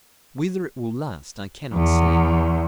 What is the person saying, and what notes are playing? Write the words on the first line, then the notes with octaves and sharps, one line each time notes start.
"Whether it will last I cannot say."
E2